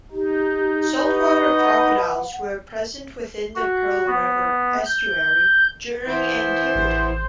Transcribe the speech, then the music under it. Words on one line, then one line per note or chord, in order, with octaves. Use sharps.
Saltwater crocodiles were present within the Pearl River estuary during antiquity.
D#4 G4
F#4 G4 B4 D#5
F#5
F#4
B3
G6
E3 B3 E4 C5
A1